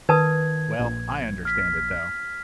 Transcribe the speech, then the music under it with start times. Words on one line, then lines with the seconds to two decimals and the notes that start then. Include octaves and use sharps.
Well, I understand it, though.
0.09 D#3 B4 A5 D#6 G#6
0.79 A#1
1.45 F6 B6